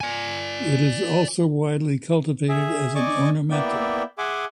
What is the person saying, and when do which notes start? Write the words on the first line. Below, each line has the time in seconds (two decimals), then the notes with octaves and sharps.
It is also widely cultivated as an ornamental.
0.01 D5 G#5
2.49 G#4 E5
2.95 D5 D#5 G#5 C#6 D6
3.51 A#3 B3 E4 D5 E5 G5
4.18 G#4 E5 F#5 G#5 C6 D6